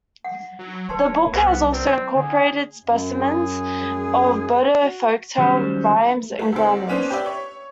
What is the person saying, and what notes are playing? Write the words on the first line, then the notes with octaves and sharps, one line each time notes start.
The book has also incorporated specimens of Bodo folktales, rhymes and grammars.
F#5
F#3
D1 B4 C#5 A5 C6
C2 B3 B4 C5
C4 E4 B4 D5
D3 G#4
F#2
G#4
F#4
D#3 F#3 G3 C#4 C5
A3
D2 C4
A#3 B3 C#4 D4 C5
G4 B4 D5 E5 G5
C#5